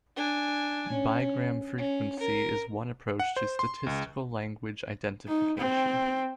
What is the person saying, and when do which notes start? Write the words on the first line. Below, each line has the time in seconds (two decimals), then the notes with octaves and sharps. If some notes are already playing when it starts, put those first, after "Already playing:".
Bigram frequency is one approach to statistical language identification.
0.16 D4 G#5
0.91 C#4
1.78 C#4
2.20 A#4
3.20 F#5
3.37 C5
3.59 C6
3.87 C#2
5.27 D#4
5.57 C4